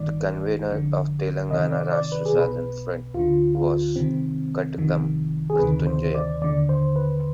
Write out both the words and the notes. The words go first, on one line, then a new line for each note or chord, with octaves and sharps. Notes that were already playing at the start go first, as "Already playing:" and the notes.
The convenor of Telangana Rashtra Sadhana Front was Katakam Mruthyunjayam.
Already playing: G1 G2 D#3 D5
G1 F2 D3
C2 C3 D#3 D#5
D5
D5
B4
G#4
B1 B2
B4
D2 D3 F4
F4
C2 C3 D#3 C4
G1 F2 C3 D#3
G#4
D2 C3 D#3 B4
C5
D5
D#2 D3 D5
C5
B4